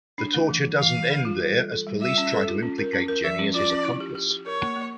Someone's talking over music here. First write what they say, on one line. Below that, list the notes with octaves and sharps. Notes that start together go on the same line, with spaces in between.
The torture doesn't end there, as police try to implicate Jenny as his accomplice.
D4
A3
E3
E3
E3 F5
E3
D4
F4
G3
A4
A4
G3
F4 E5
C#4
A4
F4
C#4
A#4
C#4
A#4
F3 E5
C#4
F4 D5
C#4
E4
G4
G4
G4
A#4 C#5
A#3
A#3